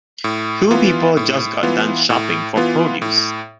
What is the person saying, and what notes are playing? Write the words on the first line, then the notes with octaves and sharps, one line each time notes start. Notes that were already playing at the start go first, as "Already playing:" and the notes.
Two people just got done shopping for produce.
A2
E3 B3 F4
A2
E3 B3 F4
A2
E3 B3 F4
A2